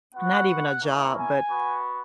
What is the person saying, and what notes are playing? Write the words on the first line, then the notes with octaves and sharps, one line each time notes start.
not even a job, but,
B3 F#4 F#5
A#3 C#4 E4
G#5
B3 F#4